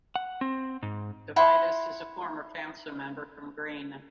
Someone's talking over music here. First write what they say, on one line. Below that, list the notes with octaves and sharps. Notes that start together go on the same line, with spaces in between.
Devitis is a former Council member from Green.
F#5
C4
G#2
E4 F#5 B5 C6